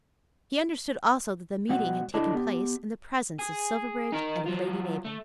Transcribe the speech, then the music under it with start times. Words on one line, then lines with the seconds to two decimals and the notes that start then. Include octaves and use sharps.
He understood also that the meeting had taken place in the presence of Silverbridge and of Lady Mabel.
1.69 B2 G3 F#4 F#5
2.14 D3 D4 E4 D#5
2.34 B3 G4
3.39 G#4
4.12 D#4 A#4
4.46 F#3 F4
5.05 A3